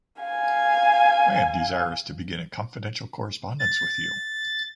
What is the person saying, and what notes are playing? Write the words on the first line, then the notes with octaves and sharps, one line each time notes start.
I am desirous to begin a confidential correspondence with you.
F5 G#5
A6